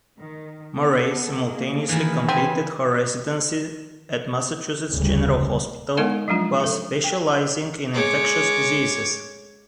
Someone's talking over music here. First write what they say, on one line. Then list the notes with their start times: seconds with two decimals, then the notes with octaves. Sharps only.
Murray simultaneously completed her residency at Massachusetts General Hospital while specialising in infectious diseases.
0.17 D#3
0.78 B3 A4
1.47 A3 A#3 G#4
1.89 D#3 E3
2.29 C#3 C4 B4 E5 G#5
4.91 F1 D2 C#3 G3
5.97 G#3 B3 D#4 A#4 D#5 F#5
6.28 F3 F#3 G#3 D4 F4
6.60 A4 E5
7.04 G5
7.94 G#3 C#5 D6